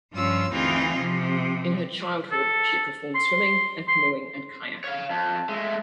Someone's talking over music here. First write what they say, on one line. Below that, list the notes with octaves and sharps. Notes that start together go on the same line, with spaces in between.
In her childhood she performed swimming and canoeing and kayaking.
G2 F3 C#4 F4 C#5 E6
D2 E3 C4 D#4 F4 G#4
C3 F3
A4
C6
C6
C#5 F5
F2 A5
G#3 A3 E5